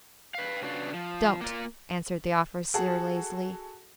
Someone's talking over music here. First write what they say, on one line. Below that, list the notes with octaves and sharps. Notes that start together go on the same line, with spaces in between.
"Don't," answered the officer lazily.
B4 F5
C#3 D4 F#4 B4 D5 F5
F3
A#3 F4
F#4 G#4 A4